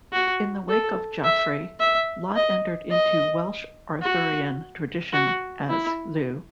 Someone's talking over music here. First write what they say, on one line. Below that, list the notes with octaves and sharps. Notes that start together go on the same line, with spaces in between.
In the wake of Geoffrey, Lot entered into Welsh Arthurian tradition as "Lleu".
F#4
A4
E5
E5
D#5
D#5
F#4
F#4
E4